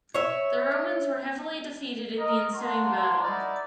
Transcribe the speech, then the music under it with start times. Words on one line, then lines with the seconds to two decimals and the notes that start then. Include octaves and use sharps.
The Romans were heavily defeated in the ensuing battle.
0.14 C#5 E5
2.18 A#4 D#5
2.55 A#3 D4 F#4 C6
3.23 D#4 E4 F#4 A#4 D5